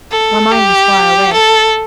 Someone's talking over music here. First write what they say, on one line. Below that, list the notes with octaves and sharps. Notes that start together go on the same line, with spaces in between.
My mind was far away.
A4
G4
A4